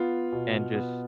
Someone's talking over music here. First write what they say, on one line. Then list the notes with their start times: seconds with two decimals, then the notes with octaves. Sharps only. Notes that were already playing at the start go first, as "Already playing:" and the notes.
and just
Already playing: B3 F4
0.32 B2
0.75 B3